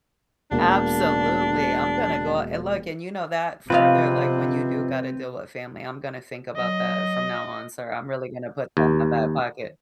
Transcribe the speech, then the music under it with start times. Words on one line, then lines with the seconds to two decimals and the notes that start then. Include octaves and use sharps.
Absolutely, I'm gonna go and look and you know that further, like, when you do gotta deal with family I'm gonna think about that from now on sir, I'm really gonna put that in my back pocket.
0.51 E1 A#3 D4
3.70 C3 F3 B3 C4 F4 B4 D#5 F5
6.56 F#3 D#5
8.77 D#2